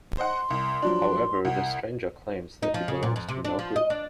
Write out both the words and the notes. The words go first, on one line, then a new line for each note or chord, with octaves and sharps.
However, the Stranger claims that he belongs to no group.
C5 D#5 F#5 C6
C2
F3 F#3 D4
C2 F#5
D#4
F3
C#3
A#2
F2
C3
D4
F3
D#5
D4